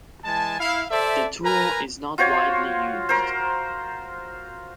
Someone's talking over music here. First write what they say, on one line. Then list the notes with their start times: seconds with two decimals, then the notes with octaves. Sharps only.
The tool is not widely used.
0.25 E3 G#3 G#5 A5
0.60 E4 F5
0.90 A4 C5 D5 E5
1.44 A#4 B4 G#5 A#5
2.18 F4 F#4 C5 C#5
3.09 A#4 C5